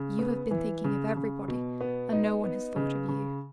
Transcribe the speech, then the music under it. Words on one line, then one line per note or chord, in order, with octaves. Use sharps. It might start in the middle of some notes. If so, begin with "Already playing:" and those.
'You have been thinking of everybody, and no one has thought of you.
Already playing: C#3
B3
E3
C#3
C#3
B2
B3
D#4
B3
C#3
C#3